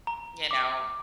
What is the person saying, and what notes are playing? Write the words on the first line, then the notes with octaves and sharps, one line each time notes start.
you know,
A#5
D6